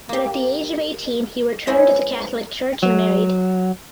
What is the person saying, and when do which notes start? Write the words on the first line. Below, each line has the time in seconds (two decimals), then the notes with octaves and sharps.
But at the age of eighteen he returned to the Catholic Church and married.
0.09 A#3 G4
1.67 G#3 B3 C#4 E4 C5
2.82 F#3